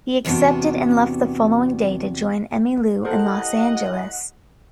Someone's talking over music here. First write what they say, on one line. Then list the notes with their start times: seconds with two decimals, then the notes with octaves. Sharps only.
He accepted and left the following day to join Emmylou in Los Angeles.
0.25 E2 C3 B3 D4 F#4
3.05 A2 G4 A4 A#4 C5 D#5 F#5